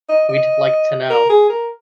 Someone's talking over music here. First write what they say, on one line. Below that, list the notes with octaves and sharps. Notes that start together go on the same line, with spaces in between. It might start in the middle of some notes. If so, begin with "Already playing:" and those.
We'd like to know.
D#5
D#5
A#4
G#4
A#4